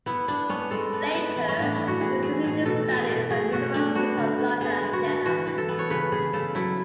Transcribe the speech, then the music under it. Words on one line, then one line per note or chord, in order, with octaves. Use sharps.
Later, he continued his studies at the Universities of London and Jena.
B3 E4
B3 D4
B3 C#4
G#3 A4
B3
B3
E3
C#4
A2 D4
A2 E4
F#4
E3 G#4
A3 G#4
A2 G#4
B2 A4
B2
G#4
B2
A3 G#4
B2 F#4
A3 D4
B3 F#4
D3
D3
B3 G#4
G#3
F#4
D3
E3 F#4
E3
A4
B3
C#5
C#3 B4
C#3 G#4
C#3 A4
F#3 E4